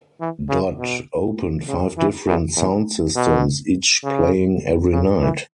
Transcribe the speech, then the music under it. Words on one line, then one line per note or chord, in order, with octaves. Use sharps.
Dodd opened five different sound systems, each playing every night.
E3
C#3
B2
C#3
E3
E2
E2
B2
C#3
C#3
E3